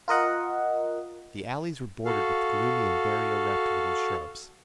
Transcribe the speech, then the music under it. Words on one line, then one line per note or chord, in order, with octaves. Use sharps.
The alleys were bordered with gloomy and very erect little shrubs.
F4 A#4 D#5 F#5
F#4 A4 F5